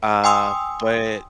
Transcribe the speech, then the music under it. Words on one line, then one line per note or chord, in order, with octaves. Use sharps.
uh, but
G5 G#5 C6 D#6 E6